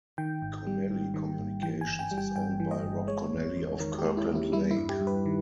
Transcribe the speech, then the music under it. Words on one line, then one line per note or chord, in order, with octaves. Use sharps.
Connelly Communications is owned by Rob Connelly of Kirkland Lake.
D#3 G5
G#1
G3
G#2
D#3
G#1
E3 G5
G#5
G1
G5
G3
G5
G2 G5
E3
D#5
G1
G#3 C#5
E2
E2
D#3 A#4
G4
G#3
E4
E2
E4
G3 E4
E4
G2
G4
G2
B4
D#3